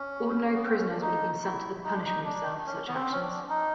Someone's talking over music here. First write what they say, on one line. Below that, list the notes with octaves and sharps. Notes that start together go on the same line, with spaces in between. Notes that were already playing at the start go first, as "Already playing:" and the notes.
Ordinary prisoners would have been sent to the punishment cell for such actions.
Already playing: C#4
B3
C4
C#4
D4
D#4
E4
D#4
D4
D#4
D4
C#4
B3
C4
C#4
D4
D#4